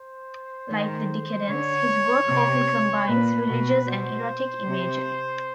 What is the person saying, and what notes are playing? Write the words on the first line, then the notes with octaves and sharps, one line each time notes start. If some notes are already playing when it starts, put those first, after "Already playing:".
Like the Decadents, his work often combines religious and erotic imagery.
Already playing: C5
D#3
D3 C#5
C3
A#2 B4
B2
B2 C5
C3